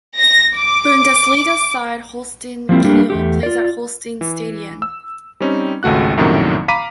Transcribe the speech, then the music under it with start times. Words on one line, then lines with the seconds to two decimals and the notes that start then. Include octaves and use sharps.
Bundesliga side Holstein Kiel plays at Holstein-Stadion.
0.19 A#6
0.57 D6
2.69 F3 G3 A#3 C4 E4
2.84 G3 A3 A#3 D4 G4
3.10 E2 A3 G4
3.43 F4 D5
4.21 E3
4.82 E6
5.40 G3 C4 C#4 D#4
5.83 G#1 C#2 A3 F#4 F#6
6.17 A#1 F#2 A2 C3 D#3 F#3
6.68 F5 A#5 B5 D6 B6 D#7